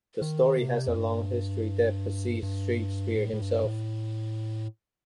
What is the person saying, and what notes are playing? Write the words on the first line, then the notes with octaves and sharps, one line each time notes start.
The story has a long history that precedes Shakespeare himself.
D#3
C3
F2
G2
G2
A2
A2
G2
A2